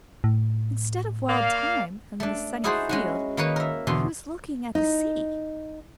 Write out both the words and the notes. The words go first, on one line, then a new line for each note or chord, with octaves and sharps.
Instead of Wild Thyme and the sunny field, he was looking at the sea.
A2
A#3 D5 F5
A3 D4
D#4 E4 F#4 G#4 A4 C5
G#3 C#4 F#4
D#3 A#3 D#4 A#4 B4 C#5
A#4 E5
E2 B2 D3 C6
D#4